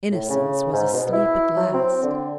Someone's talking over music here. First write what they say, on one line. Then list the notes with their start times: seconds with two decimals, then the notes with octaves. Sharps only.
Innocence was asleep at last.
0.12 A2
0.29 C#3
0.73 G#2
0.93 B2
1.13 E4
1.56 F#3
1.74 C4
2.03 D3